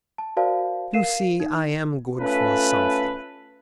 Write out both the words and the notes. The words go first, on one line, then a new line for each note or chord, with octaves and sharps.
"You see I am good for something."
A5
F#4 A#4 C5 D5 F5 A5
A#4 F5 C7 D#7 E7
D#4
A3 C#4 F4 A4 B4